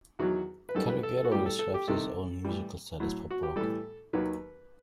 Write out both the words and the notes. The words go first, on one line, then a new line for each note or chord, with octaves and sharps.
Calogero describes his own musical style as "pop rock".
E2 D#3 F#3 F#4
B4
F#2 D#3 G3 A4
B4
A4
A4
F#4
A2 G3 G4
A4
A4
G4
C2 C3 D#3 A4
A2 E3 G3
A2 F#3
F#4
G4
A2 E3 G3 A4
D#2 D#3 F#3 B4